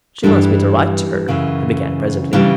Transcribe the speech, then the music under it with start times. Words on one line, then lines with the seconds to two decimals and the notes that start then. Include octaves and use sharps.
"She wants me to write to her," he began, presently.
0.23 G2 E3 G3 D4
1.28 F#2 C#3 E3
2.33 C#3 E3 G3 D4